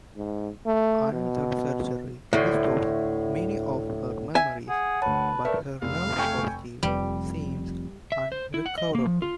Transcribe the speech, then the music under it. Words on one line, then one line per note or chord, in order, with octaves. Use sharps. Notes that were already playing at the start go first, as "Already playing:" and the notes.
Another surgery restores many of her memories, but her love for Steve seems unrecoverable.
G#2
A3
B2
D2 A2
E5 G#5
G#4 F#5
D2 B4 C#5 A5
A3 A#4 B4 D5 E5
F1 F5
A3 G5 G#5 C#6
F1 F2 G3
E5
C5
E4
F#5
D#5
A#3
F3
F4